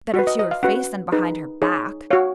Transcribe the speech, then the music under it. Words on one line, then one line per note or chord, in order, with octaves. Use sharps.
"Better to her face than behind her back."
F#4
B4
D#5
D#5
F5
C#4 F#4 B4 F#5
D#4 G#4 B4
D#4 G#4 C#5
F#4 C#5 F5